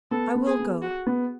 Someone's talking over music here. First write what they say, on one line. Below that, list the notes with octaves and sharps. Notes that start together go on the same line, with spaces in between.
'I will go.
B3 A4
B3
G#4
B3
F#4
B3